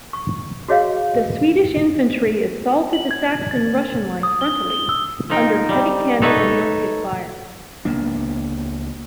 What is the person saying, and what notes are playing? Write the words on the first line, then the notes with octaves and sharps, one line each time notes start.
The Swedish infantry assaulted the Saxon-Russian line frontally, under heavy cannon and musket fire.
C#6
F#4 G#4 C#5 D#5 F5
F#7
G#6
A6
D#6
G7
G7
E6
F3 D#4 G5
G3
D#4 A4 B4 C#5 E5
C#2 A#3 B3 D4